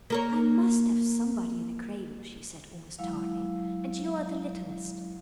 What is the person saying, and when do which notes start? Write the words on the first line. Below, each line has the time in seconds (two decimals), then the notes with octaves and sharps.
'I must have somebody in a cradle,' she said almost tartly, 'and you are the littlest.
0.10 A#3 A#4 C#5
2.99 F#3 G#3 E4 F5